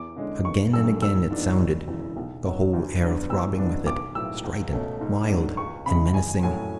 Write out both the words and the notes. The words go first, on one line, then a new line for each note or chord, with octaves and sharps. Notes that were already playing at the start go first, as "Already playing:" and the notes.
Again and again it sounded, the whole air throbbing with it, strident, wild, and menacing.
Already playing: E2 D6
D3 G#3 C#4
G#1 C#6
F#2 D3 A3 E6
G#1 E6
G#2 E3 B3 D4
E1
E2 C#3 E3
B1
B2 F#3 C#4
D2
D3 F#3 B3 D4
E2 E6
C#3 G#3 B3 D4
B1 D6
A2 F#3 B3 E6
C#2
B2 A3 C#4
G#2
F#3 A3 D4
C#2 C#6
C#3 G#3 B5
A1 G#5
A2 F#3 A3 C#4 G#5